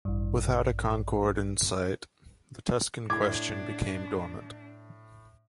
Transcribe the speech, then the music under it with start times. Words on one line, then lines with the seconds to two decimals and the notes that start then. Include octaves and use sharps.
Without a concord in sight, the "Tuscan question" became dormant.
0.05 A1 G2
3.10 A2 D4 D6 G#6